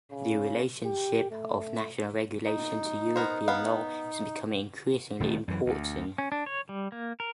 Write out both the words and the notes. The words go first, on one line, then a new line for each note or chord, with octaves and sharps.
The relationship of national regulations to European law is becoming increasingly important.
C#3
G4
A3
D#4
B3 A#4 C5
B3 F5
D#1 D#3 A3
F#2 E3
D2
C#4
D4
C#5
G3
A#3
A#4